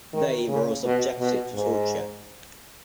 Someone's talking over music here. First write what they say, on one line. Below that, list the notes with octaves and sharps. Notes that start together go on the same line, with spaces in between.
They were all subjected to torture.
D#3
C#3
B2
B2
G#2